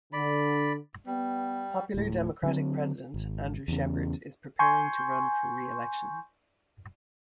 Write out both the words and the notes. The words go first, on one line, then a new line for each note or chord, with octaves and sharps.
Popular Democratic President Andrew Shepherd is preparing to run for re-election.
D3 D5 B5
G3 B3
D1 A2
D3 F#3 C4
G#1
E2 C#3
G#5 C6 C#6 G6